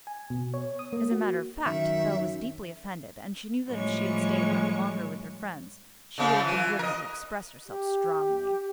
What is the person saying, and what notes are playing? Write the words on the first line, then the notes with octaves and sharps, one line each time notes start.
As a matter of fact Belle was deeply offended, and she knew that if she had stayed much longer with her friends she would have been driven to express herself strongly.
G#5
B2
C#5
D#6
A#3
F#4
F#2 D#3 E5
A2 F3 G3 G#3 C#4 C#6
C#3 F3 A3
E3 F4
A#4 D#5
G4